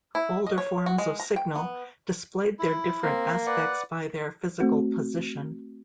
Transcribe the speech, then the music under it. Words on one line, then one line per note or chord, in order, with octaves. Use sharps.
Older forms of signal displayed their different aspects by their physical position.
E4
D#5
C#5
F#4
G#3
A#5
G5
B3
E4
A#3 C4
B4 D5 F#5
A3 C4 F#4